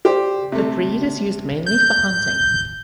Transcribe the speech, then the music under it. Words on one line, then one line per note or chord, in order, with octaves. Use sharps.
The breed is used mainly for hunting.
G4 C5 D5
C3 A3
G6